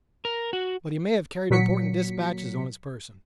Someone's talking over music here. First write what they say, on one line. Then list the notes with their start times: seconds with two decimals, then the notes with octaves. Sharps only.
But he may have carried important dispatches on his person.
0.25 A#4
0.53 F#4
1.50 A#2 F#3 B6 C#7